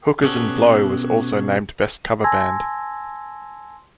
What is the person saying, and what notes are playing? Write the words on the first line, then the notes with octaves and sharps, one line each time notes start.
Hookers N' Blow was also named Best Cover Band.
B2 B3 C#4 F#4 G4 A4
G#5 A5 C6 E6 G#6 A#6